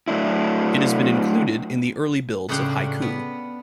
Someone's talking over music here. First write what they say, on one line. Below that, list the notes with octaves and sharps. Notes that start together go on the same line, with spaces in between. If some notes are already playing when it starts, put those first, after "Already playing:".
It has been included in the early builds of Haiku.
F#3 A3 D4 E4
A2 C#3 D4 C5 F#5 G5
B3